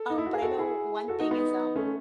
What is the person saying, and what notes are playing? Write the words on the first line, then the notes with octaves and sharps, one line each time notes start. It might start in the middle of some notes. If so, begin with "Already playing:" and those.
um, but I know one thing is, um,
Already playing: A4
D#4
E4
F#4
G#4
F#4 A4
E4 G#4
F#4 A4
D#4 F#4
B3 D#4
A3 C#4